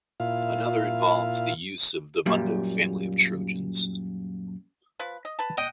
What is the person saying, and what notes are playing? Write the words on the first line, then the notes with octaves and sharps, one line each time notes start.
Another involves the use of the Vundo family of trojans.
A#2 E4 F4 F5
F#2 A#2 G3
F3 B4
D#5
B4 A5
D#5 F#5 G5